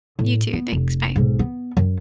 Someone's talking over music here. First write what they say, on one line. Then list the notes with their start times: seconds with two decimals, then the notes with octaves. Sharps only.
You too. Thanks. Bye.
0.19 A2
0.53 B3
0.72 F1
1.16 B1 G#2
1.39 B3
1.77 F#2